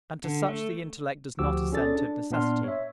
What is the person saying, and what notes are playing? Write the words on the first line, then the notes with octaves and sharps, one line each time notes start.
And to such the intellect does not assent of necessity.
D3
A3
D2 F3 F#4 G4 D6 E6
C#4 F4 G#4 A4 D5 A6
D4
A#2 B3 D4 C6 F6
C#5 E5